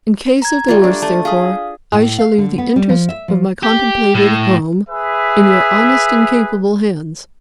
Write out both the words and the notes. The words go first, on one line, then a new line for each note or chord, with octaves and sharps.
In case of the worst, therefore, I shall leave the interests of my contemplated Home in your honest and capable hands.
A#5 G#6
G3 A3 F4
D4
A3 A5
G#4 F5 D#6
A2
F5
D3
B3
G3
F3
E5
F3
G4
A2
G#4 B4 E5